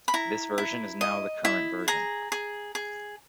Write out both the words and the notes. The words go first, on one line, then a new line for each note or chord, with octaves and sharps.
This version is now the current version.
B5
E4 A#5
E4
D#5
E4
G#4 A#5
G#4
G#4